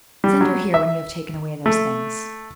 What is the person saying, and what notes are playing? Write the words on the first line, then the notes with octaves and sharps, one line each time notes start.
"Send her here when you have taken away those things."
G3
F#3
E5
A3